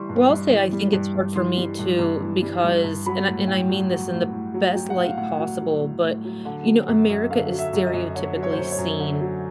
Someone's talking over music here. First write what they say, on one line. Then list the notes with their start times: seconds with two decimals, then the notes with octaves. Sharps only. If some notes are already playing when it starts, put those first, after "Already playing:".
Well, I'll say, I think it's hard for me too, because and I and I mean this in the best light possible, but, you know, America is stereotypically seen
Already playing: E3 G3 C6 C#6
0.09 G2
0.29 G2
0.51 E3
0.73 G3
0.93 G2
1.15 G2
1.36 E3 C6
1.58 G3
1.79 G2
1.99 G2
2.21 E3
2.42 G3
2.64 G2
2.84 G2
3.06 F#3 B5
3.28 A2
3.48 A2 G5
3.69 F#3
3.90 F#3
4.12 A2
4.33 A2
4.54 F#3
4.75 F#3 G5
4.90 F#5
4.97 A2
5.04 F5
5.17 A2 F#5
5.39 F#3
5.61 F#3
5.81 A2
6.03 A2
6.25 F#3
6.45 D3
6.66 F#3
6.88 F#2
7.09 F#2
7.31 D3 F5
7.52 F#3
7.59 E5
7.73 F#2
7.87 D#5
7.94 F#2
8.15 D3 C#5
8.36 F#3
8.43 C#5
8.51 C5
8.58 F#2 C#5
8.72 C#5
8.78 F#2
9.00 D3
9.21 F#3